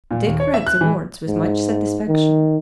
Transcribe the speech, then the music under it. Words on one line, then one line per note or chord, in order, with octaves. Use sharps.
Dick read the words with much satisfaction.
A#2
D#2
C#5
E5
F#6
E3
G#2
D#3